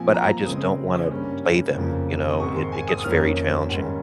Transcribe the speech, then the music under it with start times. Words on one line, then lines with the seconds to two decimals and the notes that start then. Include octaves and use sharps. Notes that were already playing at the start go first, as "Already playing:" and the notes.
but I just don't wanna play them, you know? It it gets very challenging.
Already playing: A#2 F3 C4 G#5
0.14 A#5
0.46 C#3 G#3 C4 D#6
1.11 G2 G3 A#3 C#4
1.75 F2 C#3 F3 A#3
2.30 D#6
2.39 G#2 D#3 G#3 C4 C#6
2.56 C6
2.72 G#5
2.88 D#6
2.99 D#6
3.04 F2 D#3 A#3 C#4 F6
3.69 G#2 D#3 G3 C#4